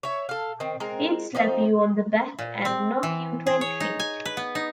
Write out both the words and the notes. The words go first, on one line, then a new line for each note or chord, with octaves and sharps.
He'd slap you on the back and knock you twenty feet.
C#5 E5
A4 F5
D#3 C4
G#3 C4 A#4
F3 C4 D#4
A#2
C4
E3
G#4
C#5
D#4
G#5
B4
B3
D#4